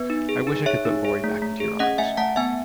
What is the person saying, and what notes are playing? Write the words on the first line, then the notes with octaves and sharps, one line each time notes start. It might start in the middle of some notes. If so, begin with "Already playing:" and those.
I wish I could put Lori back into your arms.
Already playing: B3 B4
D#4
G#4
D#4
G#4 C#5 E5
D#4
G#4
A3
A3
G#4
C#4 D#5 F#5
A3 E5 G#5
A3 F#5 A5
B3 E5 G#5